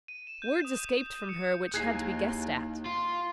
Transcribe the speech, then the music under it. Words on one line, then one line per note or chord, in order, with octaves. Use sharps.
Words escaped from her which had to be guessed at.
D#7
E7
G6
D#6
C#7
D#2 D#4 E4 G#4 F#6 G#6 C7
F4